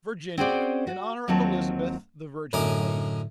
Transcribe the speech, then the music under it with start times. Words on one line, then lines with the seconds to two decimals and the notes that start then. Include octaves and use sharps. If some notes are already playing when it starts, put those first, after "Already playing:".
Virginia--In honor of Elizabeth, the "Virgin Queen."
0.38 C4 C#4 F#4 G#4 C5 D5
0.87 F#4
1.28 D#2 F#3 C4 F4 A5
2.53 F#2 A2 D3 D#4 G#5 D6